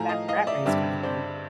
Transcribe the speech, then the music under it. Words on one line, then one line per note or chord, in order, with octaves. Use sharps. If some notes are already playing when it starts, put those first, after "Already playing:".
that rat race, kinda thing.
Already playing: A2 F3 A3 G#5 A#5
D#5 F5
D#5 F5
D5 E5
G2 D3 G3 C4 D5 E5
C5 D5